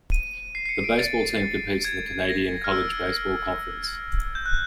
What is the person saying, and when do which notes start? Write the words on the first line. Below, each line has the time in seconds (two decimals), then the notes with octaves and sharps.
The baseball team competes in the Canadian College Baseball Conference.
0.12 D#7
0.55 C7
0.65 C7
0.69 C#7
0.84 D7
0.99 A6
1.85 G#6
2.29 A#6
2.64 F6
2.71 E6
4.35 G6
4.46 F#6